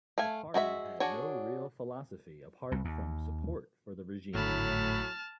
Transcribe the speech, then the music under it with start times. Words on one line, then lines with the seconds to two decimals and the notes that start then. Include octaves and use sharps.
The party had no real philosophy apart from support for the regime.
0.18 A3 F5 G#5
0.54 G#3 F#4 G#4 E5
1.00 D4 F#4 G#4 C#5
2.72 C2
2.85 D#2
4.34 G#1 A2 D3 F#3 A5 B5 F6